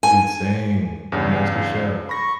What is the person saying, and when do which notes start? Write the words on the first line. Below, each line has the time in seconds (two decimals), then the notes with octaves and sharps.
Dude, same. MasterChef.
0.03 G#5
1.12 E2 G2 C#3
1.29 F5
2.09 B5 C#6 A#6